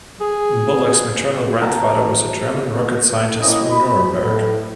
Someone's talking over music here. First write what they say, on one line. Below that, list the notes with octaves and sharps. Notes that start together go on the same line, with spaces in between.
Bullock's maternal grandfather was a German rocket scientist from Nuremberg.
G#4
A5 A#5
A#3 C4 C#4 E4 D#5
B5
A2